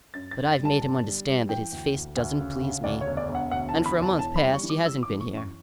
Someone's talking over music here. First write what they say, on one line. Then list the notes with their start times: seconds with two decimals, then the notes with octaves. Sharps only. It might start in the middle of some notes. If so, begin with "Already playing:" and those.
But I've made him understand that his face doesn't please me, and, for a month past, he hasn't been here.
0.14 F#2 A6
0.31 A6
0.37 F#2
0.59 G3
0.65 A5
0.82 G1 A5
1.04 G3
1.26 G3
1.49 E3 G5
1.72 D2
1.94 D2
2.16 D2
2.39 C#3
2.61 C#3
2.84 D2 D5
3.01 C#5
3.07 E1
3.17 D5
3.29 E1
3.35 F#5
3.51 D2 F#5
3.69 A5
3.74 E3
3.86 B5
3.97 E1
4.02 A5
4.19 E3 A5
4.36 B5
4.42 G3
4.53 C#6
4.63 E3
4.70 D6
4.86 E3 E6
5.03 D6
5.09 E3
5.20 C#6
5.32 F#2
5.37 C#6